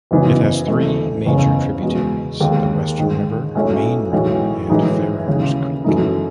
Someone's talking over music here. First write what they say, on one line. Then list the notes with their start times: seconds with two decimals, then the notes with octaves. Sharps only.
It has three major tributaries the Western River, Mayne River and Farrars Creek.
0.11 F#1 F#2 C#3 E3 B3
0.68 E1 E2 B2 A3
1.26 F#1 E2 C#3
1.83 E2 B2 G#3
2.40 D#2 D#3 G#3
2.98 G#2 D#3 G#3
3.55 B1 B2 A3 C#4 E4
4.12 B1 A2 E3 G#3
4.70 A2 E3 G#3 D#4
5.27 D#2 C#3 E3
5.84 F#2 E3 A3 D#4